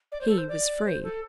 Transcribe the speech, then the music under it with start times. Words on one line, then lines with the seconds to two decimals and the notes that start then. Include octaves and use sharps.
He was free.
0.11 D5
0.21 C5
0.29 A4
0.37 C5
0.48 D5
0.85 C5
1.03 A4